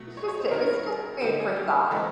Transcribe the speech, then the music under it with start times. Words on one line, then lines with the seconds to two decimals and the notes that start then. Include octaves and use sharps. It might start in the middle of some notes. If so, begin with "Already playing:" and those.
it's just it's just food for thought.
Already playing: B2 F#3 A3
0.17 C#5
0.28 C#5
0.40 C5
0.51 D#3 G3 B3 E4 A#4
1.21 D3 G3 A#3 D#4 G4
1.39 G#4
1.56 G4
1.91 E3 G#3 C4 E4 A4